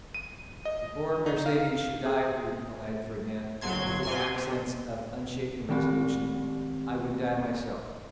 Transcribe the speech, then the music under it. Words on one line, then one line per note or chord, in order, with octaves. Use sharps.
"Before Mercedes should die," replied Fernand, with the accents of unshaken resolution, "I would die myself!"
D#7
D#5
D#4
F5
G#4
G1 F#3 C6 G#6
C3 G#5 C6
C3
D#3 G#3 C4 G4